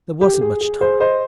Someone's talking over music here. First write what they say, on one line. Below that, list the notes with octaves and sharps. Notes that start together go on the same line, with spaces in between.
There wasn't much time.
G4
G4
G#4
G#4
G#4 C5
C5 D#5